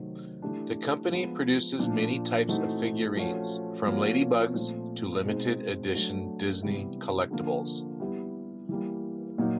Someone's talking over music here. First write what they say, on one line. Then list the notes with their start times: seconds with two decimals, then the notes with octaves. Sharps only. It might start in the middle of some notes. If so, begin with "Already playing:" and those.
The company produces many types of figurines from ladybugs to limited-edition Disney collectibles.
Already playing: C3 D#3 F#3 A3 C4
0.42 E3 A3 D4 G4
1.10 F3 G#3 B3
1.79 A#2 F3 A#3 D4
2.48 E3 A3 C4 D#4 F#4
3.17 F3 A3 C#4 F#4
3.86 F3 A#3 C#4 F#4
4.55 A#2 F3 A3 C4
5.24 B2 G#3 C4 D#4
5.93 F#3 A3 D4 F#4
6.62 C3 E3 G3 B3 E4
7.31 D3 F3 A#3
8.00 G3 B3 E4 G4
8.69 E3 G3 A#3
9.38 A#2 F#3 A#3 D#4